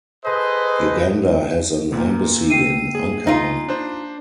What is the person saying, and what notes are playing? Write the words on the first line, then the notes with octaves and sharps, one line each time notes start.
Uganda has an embassy in Ankara.
G#4 A4 B4 C5 D#5
A#2 A#3 B4
E5 G5 C7 D#7
G#4
D#4 F4
D4 C5 B5 D#6